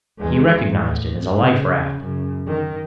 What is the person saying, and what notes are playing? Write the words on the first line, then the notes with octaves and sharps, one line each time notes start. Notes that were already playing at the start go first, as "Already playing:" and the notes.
He recognized it as a life raft.
E2 G#3
A2
C#3
F#2 C#3
D#3